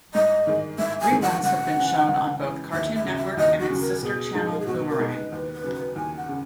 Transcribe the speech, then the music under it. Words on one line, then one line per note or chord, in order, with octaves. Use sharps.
Reruns have been shown on both Cartoon Network and its sister channel Boomerang.
G#2 D#5
D#3 G#3
G#2 E5
G#5
D#3 G#3
F#5
C#2 F#5
C#3 E3
C#2
C#3 E3
D#2 E5
E5
C#3 F#3
E5
D#2 D#5
F#4
C#3 F#3
A#4
B2 G#4
G#3 D#4
A#4
G#4
B2 F#4
A#4
G#3 D#4
B4
D#2 B4
B4
C#3 F#3
B4
D#2 G#5
F#5
C#3